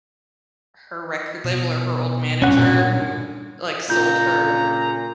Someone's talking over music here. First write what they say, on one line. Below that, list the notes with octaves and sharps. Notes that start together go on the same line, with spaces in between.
her record label or her old manager who, like, sold her
B2
G2 A#2 C#4 F#5
A#2 C#3 F4 A#5 G6